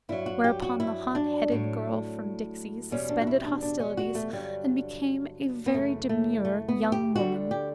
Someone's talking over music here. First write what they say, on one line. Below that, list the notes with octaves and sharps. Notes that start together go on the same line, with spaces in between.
Whereupon the hot-headed girl from Dixie suspended hostilities and became a very demure young woman.
G2 F#3 E4
F#4
G4
F#4
E4
D4
A2 F#3
E2 B2 G3 C#4
D4
F#4
E4
D4
D4
C#4
F#4
A3
G2 D3 F#3 G3
B3
F#2 C#3 E3 A3
A3
A3
B3
G4
D2 D3 G3 F#4
G4